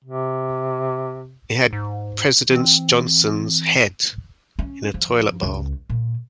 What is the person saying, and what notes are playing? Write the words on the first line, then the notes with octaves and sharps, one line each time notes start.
It had President Johnson's head in a toilet bowl.
C3
G#2
E3 C4
C#4
F3
C#2
A#2